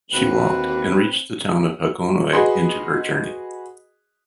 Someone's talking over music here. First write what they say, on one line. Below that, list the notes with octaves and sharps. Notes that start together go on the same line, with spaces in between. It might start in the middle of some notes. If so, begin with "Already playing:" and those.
She walked and reached the town of Hagonoy into her journey.
D#2 D3 A#3 C4 F#4 B4
F#4 G#4 B4 D#5 B5 C6